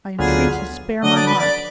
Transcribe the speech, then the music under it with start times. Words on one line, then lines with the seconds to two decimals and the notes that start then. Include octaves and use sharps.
I entreat you, spare my heart!
0.19 D2 D3 F#3 B3 F4 G#4
1.03 D3 F#3 D4 D#5
1.15 D5
1.27 B4
1.39 D5